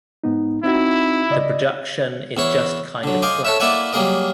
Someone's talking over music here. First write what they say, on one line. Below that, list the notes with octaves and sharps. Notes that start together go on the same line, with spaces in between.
The production is just kind of flat.
G#2 B3 D#4
C4 D#4 E4 F#4
C#3 D5 D#5
E2 E4 C#5
D3 F#3
D#5 F5 G5 G#5 C6 D6
A4 C#5 E5
A#3 E4 D5 E5 F#5 G#5
F#3 G3 A#3 G#4 A#4 D#5